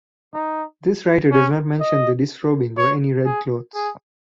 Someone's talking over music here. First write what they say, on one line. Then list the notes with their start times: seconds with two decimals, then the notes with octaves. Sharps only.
This writer does not mention the disrobing or any red clothes.
0.34 D#4
1.32 C#4
1.80 D#5
2.77 C#5
3.25 G#4
3.75 G#4